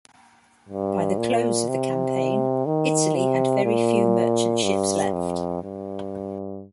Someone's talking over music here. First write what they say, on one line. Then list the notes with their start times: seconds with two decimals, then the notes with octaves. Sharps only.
By the close of the campaign, Italy had very few merchant ships left.
0.69 G2
1.18 A#2
1.68 C3
2.66 D#3
3.17 C3
3.65 A#2
4.63 G2
5.13 F2
5.63 G2